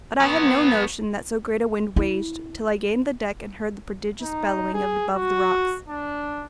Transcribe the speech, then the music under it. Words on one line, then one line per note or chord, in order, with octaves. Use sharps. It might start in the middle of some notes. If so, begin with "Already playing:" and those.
But I had no notion that so great a wind raged till I gained the deck and heard the prodigious bellowing of it above the rocks.
F#3 B3
E4
D#4
G#4
F#4
D4